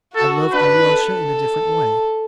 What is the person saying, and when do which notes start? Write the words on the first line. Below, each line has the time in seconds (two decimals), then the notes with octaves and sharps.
I love Alyosha in a different way.
0.15 F#4 A4
0.52 D4 B4
0.89 A4